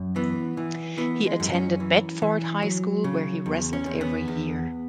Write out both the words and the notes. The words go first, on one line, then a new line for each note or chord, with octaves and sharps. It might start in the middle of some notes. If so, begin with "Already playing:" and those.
He attended Bedford High School where he wrestled every year.
Already playing: F#2
E3 B3
E3
E3 B3
G#3
F#2
C#4
E3
E3
F#3
C#3
E2
C#4
E2
B3
E2